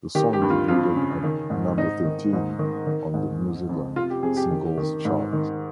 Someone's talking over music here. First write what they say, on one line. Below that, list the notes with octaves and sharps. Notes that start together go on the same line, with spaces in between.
The song debuted at number thirteen on the New Zealand Singles Chart.
D#3 G4
G4
G2
F4
F2 F4
C#3
D#3
G#2
G#2 D#4
D#3
G#2
D#3
D#3
G#2
F2
F2
C3 F4
G4
F2 G#4
G4
D#3
D#3
G#2
D#3